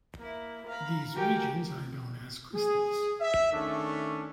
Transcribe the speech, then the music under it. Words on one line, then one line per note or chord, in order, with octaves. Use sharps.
These regions are known as crystals.
A#3 E4
F5 A#5 B5
F#4 G4 A#4 G5 G#5 A#5
G#4
E5
D#3 A3 C#4 D4